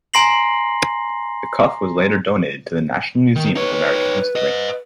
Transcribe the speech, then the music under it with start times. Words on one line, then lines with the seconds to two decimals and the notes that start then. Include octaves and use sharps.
The cuff was later donated to the National Museum of American History.
0.14 G#5 A#5 C6 A#6 C7 F#7
3.36 D#3
3.56 D#4 B4 C#5
4.36 C5 D#5